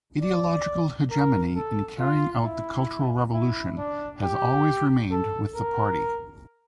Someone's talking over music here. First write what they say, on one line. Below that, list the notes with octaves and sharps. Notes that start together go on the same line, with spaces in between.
Ideological hegemony in carrying out the cultural revolution has always remained with the party.
D5
A#4
A4
F4
E4
E4
D4
G4
A4
A#4